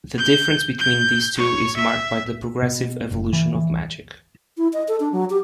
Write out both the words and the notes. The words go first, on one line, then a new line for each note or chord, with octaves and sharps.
The difference between these two is marked by the progressive evolution of Magic.
G6
G6
C#5
E5
B2
F#1
E3
E3
E4
D#5
A4
D4
F#3
G4